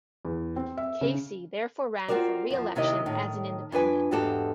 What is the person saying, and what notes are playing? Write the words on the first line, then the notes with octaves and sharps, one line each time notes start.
Casey therefore ran for re-election as an independent.
E2
C4
E5
C#3
C4 F4 F#4 A#4 D5
E2 F3
D#2 C3 D#3 C4 E4 D#5
A2 D#3
F2 D4 B4 G#5
E2 G#2 F#4 G4 A4